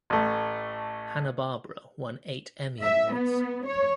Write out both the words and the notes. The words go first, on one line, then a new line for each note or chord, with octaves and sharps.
Hanna-Barbera won eight Emmy Awards.
A1 A3
E5
B3
C#5